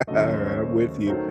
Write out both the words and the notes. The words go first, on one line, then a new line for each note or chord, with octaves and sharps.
Alright. I'm with you.
D#2 C#3 F#3 A3 D#5
C#5
C5
C#5
D#3 F#3 A3 C5